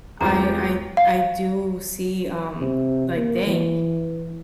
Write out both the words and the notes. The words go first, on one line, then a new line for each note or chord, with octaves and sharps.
I I I do see, um, like dang,
E2 G#3 C4 F4 G4 A#5
F5
C3
A#3
E3